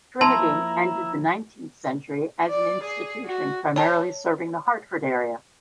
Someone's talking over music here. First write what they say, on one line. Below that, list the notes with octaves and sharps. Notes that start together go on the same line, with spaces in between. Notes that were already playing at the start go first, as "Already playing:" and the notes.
Trinity ended the nineteenth century as an institution primarily serving the Hartford area.
F3 A#3 E4 A5 A#5 C6
F3
D5
G#4
F#4
C#5 A5